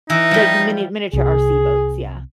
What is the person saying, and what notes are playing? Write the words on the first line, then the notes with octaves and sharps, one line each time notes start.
Like mini miniature RC boats, yeah
E3 D#4
F3 G3
C2 C3 G#4